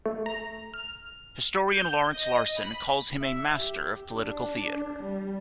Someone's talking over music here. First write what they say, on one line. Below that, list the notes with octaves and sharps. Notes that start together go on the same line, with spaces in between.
Historian Lawrence Larsen calls him "a master of "political theater.
A3
A#5
F6
G6
D#5
B5
E5
G4
D4
G3